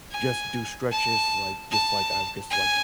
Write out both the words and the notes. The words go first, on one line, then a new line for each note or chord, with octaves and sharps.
just do stretches, like, just, like, I've guess like
G#5
A5
A5
G#5